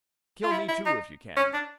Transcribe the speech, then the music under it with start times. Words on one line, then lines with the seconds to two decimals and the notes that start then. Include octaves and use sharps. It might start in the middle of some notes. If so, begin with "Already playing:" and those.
Kill me too, if you can.
0.43 F4
0.52 E4
0.69 E4
0.86 D#4
1.37 C#4
1.53 D4